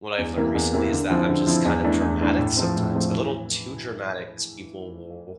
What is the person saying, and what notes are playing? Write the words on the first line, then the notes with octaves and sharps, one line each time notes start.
what I've learned recently is that I'm just kind of dramatic sometimes. A little too dramatic, as people will
E2
C3 E3 A#3
E2
C3 E3 A#3
D3
F3 C4 E4
D3
F3 C4 E4
E2
E3 A3 D4
E2
E3 A3 D4
A2
F3 A3 C4
A2
F3 A3 C4
E3